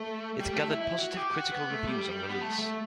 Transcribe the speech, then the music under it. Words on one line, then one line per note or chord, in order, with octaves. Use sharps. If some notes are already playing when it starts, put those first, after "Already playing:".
It gathered positive critical reviews on release.
Already playing: A3
G3
A3
E4
E4
F#4
G4
F#4
B3
A3
G3
B3
A3
A3